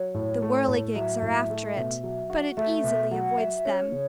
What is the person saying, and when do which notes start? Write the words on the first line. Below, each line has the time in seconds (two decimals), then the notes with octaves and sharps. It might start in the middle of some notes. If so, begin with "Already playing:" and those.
The whirligigs are after it, but it easily avoids them.
Already playing: F#3 C#5
0.14 A2
0.42 A3
0.68 A2
0.95 F#3 E5
1.22 A2
1.50 A3
1.77 B2
2.04 F#3
2.30 F#4
2.57 A3 E5
2.84 B2
3.11 F#3 F#5
3.38 F#4 E5
3.65 C#4 C#5
3.92 C#3